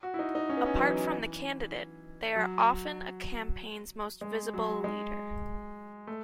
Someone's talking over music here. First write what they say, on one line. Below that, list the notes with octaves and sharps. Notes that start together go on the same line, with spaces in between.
Apart from the candidate, they are often a campaign's most visible leader.
F#4
E4
D#4
D#4
C#4
B3
C#4
F#3
E3
F#3
G#3
F#3
G#3
A3